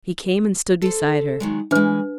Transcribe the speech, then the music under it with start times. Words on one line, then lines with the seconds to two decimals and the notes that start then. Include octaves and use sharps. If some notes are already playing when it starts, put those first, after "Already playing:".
He came and stood beside her.
0.82 A4 C5
1.40 D#3 F#3 G#3
1.71 E3 G#3 D4 B4